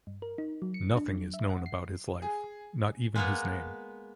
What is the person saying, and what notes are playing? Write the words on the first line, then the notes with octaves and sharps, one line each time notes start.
Nothing is known about his life, not even his name.
G2
A#4
D#4
F#3
C#7
D4
F#3
E5
F#5
C7
G#4
G#3 A#3 B3